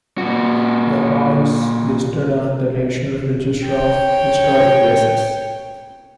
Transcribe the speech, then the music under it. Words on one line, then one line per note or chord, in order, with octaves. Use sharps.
The hall is listed on the National Register of Historic Places.
A#2 F#4
C#5 G5